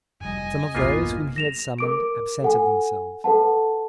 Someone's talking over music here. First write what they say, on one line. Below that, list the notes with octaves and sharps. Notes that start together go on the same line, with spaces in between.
Some of those whom he had summoned absented themselves.
F1 G3 D#5 G#5
A#1 E2 G2 A#3 B3 F4
A#6 E7 F7
A#4 D6 D7
A4 F#5 G#5
A4 B4 F#5 A5